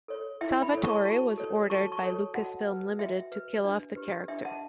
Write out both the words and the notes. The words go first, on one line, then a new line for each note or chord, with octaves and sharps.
Salvatore was ordered by Lucasfilm Limited to kill off the character.
A4 C#5
E4 E5 G5
G5 B5
A4 C#5
A5 C#6
F#4 A5 C#6
A4 C#5
F#4 A5 C#6
A5 C#6
A4 C#5
F#4 F#5 A5
B4
F#4 E5 G5
B4
D4
G4 B4
D4 E5 G5
F#5 A5